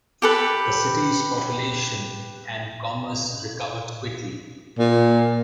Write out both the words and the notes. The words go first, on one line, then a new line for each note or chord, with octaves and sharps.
The city's population and commerce recovered quickly.
G4 A4 B4
A#2